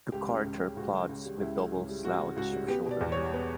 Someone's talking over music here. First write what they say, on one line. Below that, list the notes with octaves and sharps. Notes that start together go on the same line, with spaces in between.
The carter plods with double slouch of shoulder.
C#2 G4
C#3
C#2
G3
C#2 F#4
C#3
C#2
G3
C#2 E4
C#3
C#2
G3
C#2 F#4
C#3
C#2 F#4
G3
B3 G4
B2
D5
E2
C#5
G3
B3